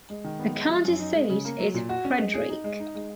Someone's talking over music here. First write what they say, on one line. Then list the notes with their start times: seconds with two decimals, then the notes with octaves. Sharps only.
The county seat is Frederick.
0.10 G#3
0.24 D#3
0.39 B3
0.54 G#3
0.70 F3
0.85 F#2
0.99 D#4
1.15 G#3
1.29 C#3
1.45 A#3
1.60 F#3
1.74 A#2
1.89 F#4
2.05 C#4
2.19 G#3
2.34 G#4
2.50 D#4
2.64 G#3
2.80 D#4
2.95 G#3